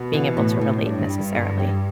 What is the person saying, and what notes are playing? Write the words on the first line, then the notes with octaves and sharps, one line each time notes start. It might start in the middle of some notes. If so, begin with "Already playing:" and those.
being able to relate necessarily.
Already playing: B2 B3
E3
A2
A2
G2 D4
G3
D3
G4